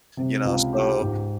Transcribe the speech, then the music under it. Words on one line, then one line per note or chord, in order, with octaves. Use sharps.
you know, so,
C3
C#2
G4
G#2